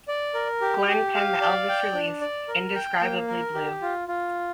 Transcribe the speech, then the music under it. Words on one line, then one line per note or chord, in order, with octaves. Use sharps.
Glenn penned the Elvis release "Indescribably Blue".
D5
A#4
G4
G4
F5
D5
G5
D4
D5
A#4
G5
A#3
A#4
G4
F4
F4